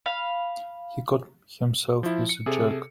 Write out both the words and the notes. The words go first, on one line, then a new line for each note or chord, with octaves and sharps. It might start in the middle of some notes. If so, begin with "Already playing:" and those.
He caught himself with a jerk.
F5 B5
F3 E4
C#7
C3 G#4 A4 E5